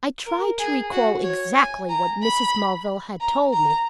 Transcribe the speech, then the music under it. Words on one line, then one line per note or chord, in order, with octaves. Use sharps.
I tried to recall exactly what Mrs. Mulville had told me.
A#4
G#4
F#4
C#5
G#5
A#5
B5
A#5
A#5